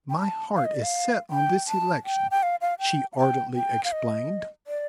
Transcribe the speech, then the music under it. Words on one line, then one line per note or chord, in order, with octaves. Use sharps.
"My heart is set on this election," she ardently explained.
G5
A5
F5
D#5
D5
F5
G5
A5
G5
G5
F5
F5
G5
F5
G5
G5
F5
D#5
D5